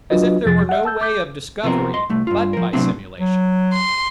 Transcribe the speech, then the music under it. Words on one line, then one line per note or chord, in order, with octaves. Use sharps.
As if there were no way of discovery, but by simulation.
F#3 D4 F4 F#4 B4 D#5
F2 C3 F3 G#4 A6
E5 F#5
A5 E6 G6
D6 G6
C3 F3 B3 C4 A#4
D#5 C6
C2 A3
G2 F4
F3 A#4
A2 C3 F#3 B3 C4 D4
F#3
C6